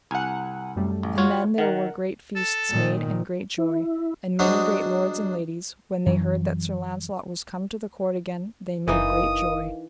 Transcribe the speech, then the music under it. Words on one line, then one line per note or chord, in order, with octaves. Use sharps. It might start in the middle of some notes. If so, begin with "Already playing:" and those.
And then there were great feasts made and great joy; and many great lords and ladies, when they heard that Sir Launcelot was come to the court again, they made great joy.
C2 F#5 G#5
F#2 G3 A3
A1
F4 F#4 C#5
D#3 A#4 F#5
A4
A#2 D#3
E4
F#3 G#3 D4 F#4 C5 D#5
F#2 E3 F#3
F#1 E3 D#4 A#4 D#5 F5 D#6